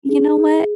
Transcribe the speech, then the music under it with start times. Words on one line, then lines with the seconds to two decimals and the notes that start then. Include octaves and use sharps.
You know what
0.09 G#4
0.37 G#4